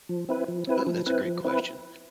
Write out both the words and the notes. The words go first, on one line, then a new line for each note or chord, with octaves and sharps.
Ooh, that's a great question.
F3
C4 E4 B4
F3
C4 E4 B4
F3
C4 E4 B4
F3
C4 E4 B4